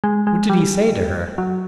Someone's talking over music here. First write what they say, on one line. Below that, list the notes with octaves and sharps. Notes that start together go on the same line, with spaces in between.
What did he say to her?
G#3
G#3
G3
F#3